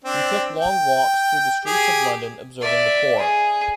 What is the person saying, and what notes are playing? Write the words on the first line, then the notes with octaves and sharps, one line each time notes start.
He took long walks through the streets of London observing the poor.
C4 D4
G5
G4 G#4
D5 E5
G#4